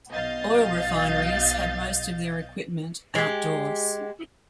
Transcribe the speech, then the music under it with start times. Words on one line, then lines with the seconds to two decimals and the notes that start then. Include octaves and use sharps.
Oil refineries have most of their equipment outdoors.
0.12 B1 B2 D#5 F5 G6 A6
3.15 G#3 G4